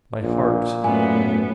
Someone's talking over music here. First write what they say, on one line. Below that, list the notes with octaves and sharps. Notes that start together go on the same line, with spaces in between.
My heart.
A#1 A#2
F#2 A2 B3 G#5